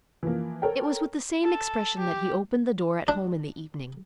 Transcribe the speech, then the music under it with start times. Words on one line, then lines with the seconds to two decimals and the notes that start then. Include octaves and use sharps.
It was with the same expression that he opened the door at home in the evening.
0.23 E3 F3 A#3
0.62 A4 A#4 C#5 G5
1.44 A4
1.99 G4
3.08 D4